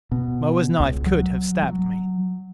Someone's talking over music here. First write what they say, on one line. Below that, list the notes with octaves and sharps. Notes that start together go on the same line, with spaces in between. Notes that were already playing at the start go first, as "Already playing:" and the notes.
Moa's knife could have stabbed me.
B2
C#2
F#3
F#3